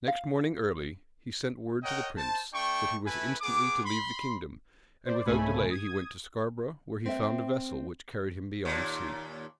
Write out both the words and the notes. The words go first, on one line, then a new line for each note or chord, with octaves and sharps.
Next morning early, he sent word to the prince, that he was instantly to leave the kingdom; and without delay, he went to Scarborough, where he found a vessel, which carried him beyond sea.
F5
A#4 C#5 D#5 F#5 G5
C5 A5
A3 D4 G5 C#6
A3 E4 B4 G#5
B3 G#4 D6
B5 C6
C5 D5
C2 G#2 C#3 A3 G#5 B5
D#6 G#6
C4 E5
D#2 A#2